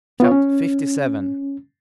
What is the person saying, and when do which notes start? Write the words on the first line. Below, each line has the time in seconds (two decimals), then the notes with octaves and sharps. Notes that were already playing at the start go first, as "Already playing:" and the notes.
Chapter LVII.
0.20 B3 F4 C#5
0.32 C#4